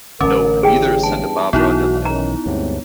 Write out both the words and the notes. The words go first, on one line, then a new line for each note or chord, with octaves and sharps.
No, and neither is Santa Barbara, Delilah.
A1 D3 C#4 A#4 D6
A3 E4 G4 G#4 G5 G#5
E2 G2 A5
B1 E3 B3 D#4 E4 F#4
D#3 C#4 A#5
D2 G2 G#3 C4 C#5